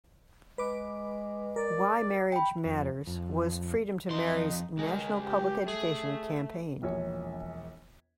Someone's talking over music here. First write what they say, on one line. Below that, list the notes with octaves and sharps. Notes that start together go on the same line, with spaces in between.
"Why Marriage Matters" was Freedom to Marry's national public education campaign.
G#3 B4 D6
A#4 D5
G5 B5
F2
F2
F2 D#4 C6
C#2 D#3 G#3
G4
A3 G#4
E1 A#1 C#5